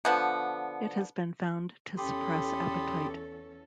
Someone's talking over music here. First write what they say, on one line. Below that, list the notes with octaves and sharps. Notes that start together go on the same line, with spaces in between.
It has been found to suppress appetite.
D3 F3 B3
E2 C#4 G4 A4 B5 C6 D#6